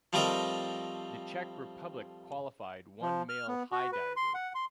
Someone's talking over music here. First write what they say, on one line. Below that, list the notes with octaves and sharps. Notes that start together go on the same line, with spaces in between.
The Czech Republic qualified one male high diver.
F3 G3 A3 C4 A#4 D#5
F3
F6
B3
F#4
B4
C6
F#5
C6